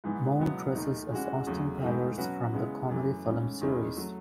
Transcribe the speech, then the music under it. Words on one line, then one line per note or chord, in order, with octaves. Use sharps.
Moe dresses as Austin Powers from the comedy film series.
G#2 E3 B3
C#2 B2 F#3 B3 E4
D#2 D#3 A3 D#4
E3 G#3 C#4 F#4
E2 C#3 F#3 A3
G#2 E3 A3 D#4
B2 F#3 C#4 F#4 B4
C#3 G#3 B3 E4
F#2 E3 A3
G#2 E3 A3 C#4
E2 D#3 G#3 C#4 E4
F#3 A3